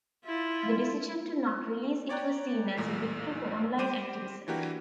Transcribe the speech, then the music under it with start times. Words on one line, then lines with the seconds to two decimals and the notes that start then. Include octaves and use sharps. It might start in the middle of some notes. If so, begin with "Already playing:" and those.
The decision to not release it was seen as a victory for online activism.
0.25 E4 F4
2.09 C#5 D5 G5 A#5 F#6
2.76 A1 E2 A#2 A#4
3.78 G3 G4 C5 G5 D6 D#7
4.48 E3 A#3 D4 F#4 G4 A#4